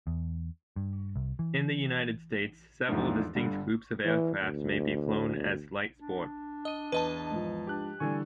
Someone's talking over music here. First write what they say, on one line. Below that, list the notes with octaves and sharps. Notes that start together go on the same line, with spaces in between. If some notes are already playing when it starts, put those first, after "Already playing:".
In the United States, several distinct groups of aircraft may be flown as light-sport.
E2
G2
C2
E3
E2 G#2 D#3 F3 A3 D4
G1 G2 D3
E3
D2
D4
D#5 D#6 D#7
E2 B4 D#5 A5
G#2 F3
D4 G4 F#6
D3 E3 G3 D4 A4 G#5 C#6